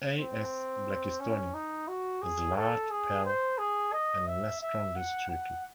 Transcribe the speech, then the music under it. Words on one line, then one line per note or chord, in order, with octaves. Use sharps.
"A. s. blakistoni" is large, pale and less strongly streaked.
C4
C#4
D#4
F#4
G#4
A4
G#4
C5
G#4
D#5
E5
E5
F#5
F#5